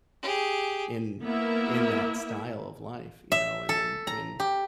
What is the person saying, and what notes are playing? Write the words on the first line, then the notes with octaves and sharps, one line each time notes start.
in in that style of life, you know? And then when
G4 G#4
A#3 B3 E4 A#4 E5
E5
A4
A#5
G4